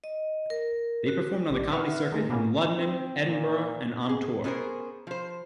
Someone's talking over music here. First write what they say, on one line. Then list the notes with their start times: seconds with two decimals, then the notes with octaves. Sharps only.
They performed on the comedy circuit in London, Edinburgh and on tour.
0.04 D#5
0.50 A#4
1.08 F#4
1.50 A#1 G4 D5
1.72 B4 E5 F#5 F6
2.12 D#3 G#3 A3
2.29 B2 A#3 B3 C#4
2.77 C4
3.25 A#2
4.09 G#4
4.44 B3 C#4 D4 G#4 A#4 C5
5.07 F3 C5